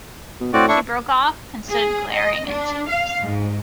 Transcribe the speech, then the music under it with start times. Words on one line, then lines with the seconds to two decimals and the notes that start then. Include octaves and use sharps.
She broke off, and stood glaring at Jeeves.
0.41 B2
0.53 A2 C4 F#4 D5
0.68 D4 E4 C#6
1.69 G#4
2.12 D#5
2.48 D4
2.89 F5
3.21 G#2